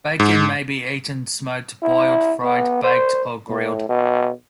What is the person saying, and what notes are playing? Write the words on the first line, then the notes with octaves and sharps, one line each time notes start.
Bacon may be eaten smoked, boiled, fried, baked, or grilled.
G#2
E4
B3
C5
A2
B2